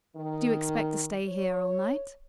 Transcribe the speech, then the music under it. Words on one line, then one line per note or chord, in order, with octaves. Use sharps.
"Do you expect to stay here all night?"
D#3
C#5